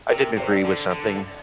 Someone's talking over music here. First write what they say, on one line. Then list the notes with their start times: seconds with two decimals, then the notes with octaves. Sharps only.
I didn't agree with something
0.10 C3 A#4
0.37 C3 C5
0.51 D5
0.65 D3
0.91 D3